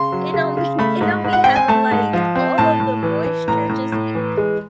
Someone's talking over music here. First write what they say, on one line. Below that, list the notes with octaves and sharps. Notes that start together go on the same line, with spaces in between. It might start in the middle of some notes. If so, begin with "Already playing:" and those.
It don't be it don't be having, like all of the moisture just be
Already playing: C#3 C6
F#3
C#3
C#3
A3 B5
G#2
G#2
F#5
C4 G5
G#5
A3 A5
G#2
F3
C4
A2 A5
A2
E3
E3
A2 A#5
A2
A2
E3
G#3